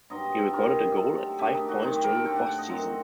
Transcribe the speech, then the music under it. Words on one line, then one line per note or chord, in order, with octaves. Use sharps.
He recorded a goal and five points during the postseason.
G2 F#3 C4 D#4 D#5
D#5
A4
D#3 G3 C4 A#4
C3 F#3 A3 A4
D#3 A3 D4 G4
D#4
F#4
D#3 F#3 C4 D#4
G4
A#4
A4
A2 A3 D4 G5
F#5
F#5
D#5
F#2 F#3 C4 D#4